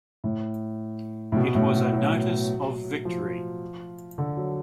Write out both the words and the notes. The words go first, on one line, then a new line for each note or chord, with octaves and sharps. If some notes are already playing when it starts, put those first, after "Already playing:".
It was a notice of victory.
A2
A2
B2
A2
B2
F#3
F3
D3
F#3